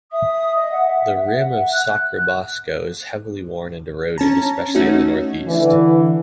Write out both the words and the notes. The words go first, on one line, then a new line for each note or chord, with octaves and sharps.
The rim of Sacrobosco is heavily worn and eroded, especially in the northeast.
E5 D#6
D#5
F#5
F#5
F#6
C#4 A5 A#5
A3 C#4 D#4 F#4
D3 E3